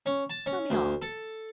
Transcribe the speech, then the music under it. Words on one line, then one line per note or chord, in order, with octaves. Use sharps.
Tell me all.'
C#4
A5
C#4
D2
A4